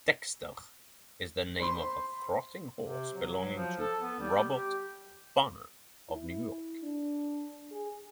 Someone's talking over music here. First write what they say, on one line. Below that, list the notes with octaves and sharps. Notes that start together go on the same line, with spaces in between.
Dexter is named for a trotting horse belonging to Robert Bonner of New York.
C5 B5 C6
C3
F#3
F#3
F3
A4
B3
G3
G4
E4
D4
G#4